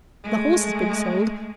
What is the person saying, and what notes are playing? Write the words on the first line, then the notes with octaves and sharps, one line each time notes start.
The horse has been sold.
G#3 A3